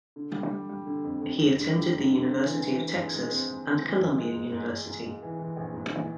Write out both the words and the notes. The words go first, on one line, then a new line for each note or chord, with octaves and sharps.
He attended the University of Texas and Columbia University.
D3
G3
G3
G3
D3
F2
F2
F2
D3
G3
F1
D3
C4
E3
E3
E3
G#2
G#3
C4
G#3
C4
E3
G#2
G#3
G#2
G#2
G#2
G#2
G#2
E3
E3
A#1
G#2
E3